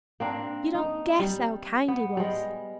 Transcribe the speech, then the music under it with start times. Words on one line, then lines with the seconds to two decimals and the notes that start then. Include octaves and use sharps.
You don't guess how kind he was.
0.20 A#3 C4 D4
0.74 D#4
1.19 G3
1.88 B3
2.17 G3 G#3